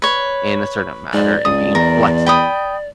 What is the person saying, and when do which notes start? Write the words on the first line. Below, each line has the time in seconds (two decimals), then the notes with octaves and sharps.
in a certain matter, and being flexible;
0.02 B4 C#5
1.13 G#2 D5
1.45 C#2 D#6
1.75 E2 A#4
2.26 G5 B5 D#6